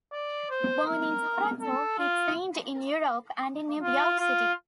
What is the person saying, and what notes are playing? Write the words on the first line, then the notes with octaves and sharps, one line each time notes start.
Born in Toronto, he trained in Europe and in New York City.
D5
C5
A#4
A4
F4
F4
F4